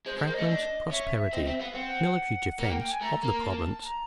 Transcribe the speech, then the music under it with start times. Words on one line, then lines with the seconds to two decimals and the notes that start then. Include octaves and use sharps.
Franklin's Prosperity. Military Defence of the Province.
0.06 G#3 C5
0.17 G#3
0.20 C5
0.28 A#3
0.34 A3 D#5
0.49 D4
0.91 C#4 E5
1.04 E5
1.19 E5
1.33 C4 D#5
1.46 C4 E5
1.60 B3 F5
1.75 C4 F#5
2.59 A#3 F#5
2.70 G5
2.80 G5
2.91 G#5
3.01 A3 A#5
3.23 A#3
3.43 A5
3.85 A#5